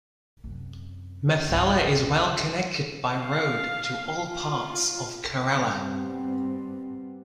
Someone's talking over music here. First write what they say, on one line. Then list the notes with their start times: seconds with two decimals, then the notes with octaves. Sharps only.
Methala is well connected by road to all parts of kerala.
0.44 F#2 C3
1.49 G#1 C#2
2.19 D#3
3.20 F5
4.31 F4
5.58 G2 G3 B3 C4